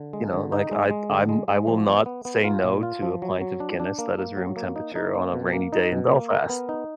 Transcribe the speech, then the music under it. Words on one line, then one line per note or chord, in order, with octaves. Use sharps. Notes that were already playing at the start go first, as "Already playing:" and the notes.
you know, like, I I'm I will not say "no" to a pint of Guinness that is room temperature on a rainy day in Belfast.
Already playing: D3
G#3
D3
D#4
G#3
G#3
D3
G#3
G#3
F3
B3
B3
B3
F4
A#2
F4
F3
F#3
F#3
D4
D4
A#3
A#3
F#3
A#3
D#4
D#4
A#3
B2
A#3
D#4
B2
A#3
A#4
B3
D#4